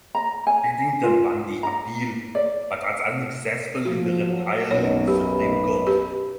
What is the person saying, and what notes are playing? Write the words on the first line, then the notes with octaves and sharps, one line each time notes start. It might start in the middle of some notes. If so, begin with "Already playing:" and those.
Piddington won the appeal but was unsuccessful in the retrial in the Supreme Court.
A#5
G#5
F4
A#5
D5
F3 F#4
F#3
B1 F#2 B2 D#4 C#5
G4 B4
G4